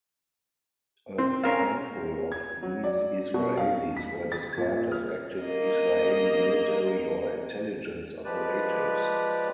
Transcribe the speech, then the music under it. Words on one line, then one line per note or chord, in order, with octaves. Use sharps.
A "handful" of these Israelis were described as active Israeli military or intelligence operatives.
C4
C#4 A#4 F5
G#6
F#3
D5
B2
F5
B6
A6
A#2
F6
A#3 D#5
F3 G#3 G4 B4 D5